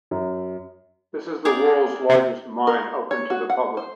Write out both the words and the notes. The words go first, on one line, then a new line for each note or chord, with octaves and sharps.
This is the world's largest mine open to the public.
F#2
G#4 A#4 D5 G5
A#4
C#5
F#4
F#5
C5